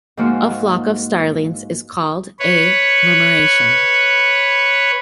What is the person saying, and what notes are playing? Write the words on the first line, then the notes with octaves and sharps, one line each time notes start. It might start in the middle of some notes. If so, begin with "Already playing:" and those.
A flock of starlings is called a murmuration.
G#2 F3 A#3 F#4
B4 C#5